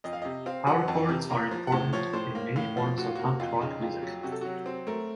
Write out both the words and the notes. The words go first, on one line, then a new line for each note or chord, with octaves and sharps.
Power chords are important in many forms of punk rock music.
F2 D#5
F5
C3 D#5
C4 F5
F#3 F#5
F2 A5
C3
A#3 A#5
F3
F#5
A2 A5
F3 C#5
A2 C5
A#3
A2 F5
F3
A2 F#4
F4
A#3 F#4
F2 F4
C#3 D#4
F2 F4
F#3
C3 F#4
A4
F#3 F#4
C4
A3 A#4